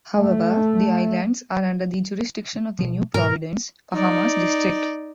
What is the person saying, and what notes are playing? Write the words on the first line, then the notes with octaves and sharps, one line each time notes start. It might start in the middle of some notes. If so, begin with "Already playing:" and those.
However, the islands are under the jurisdiction of the New Providence, Bahamas District.
A3
B2 F3
G#2 B2 A#4
D#4 D5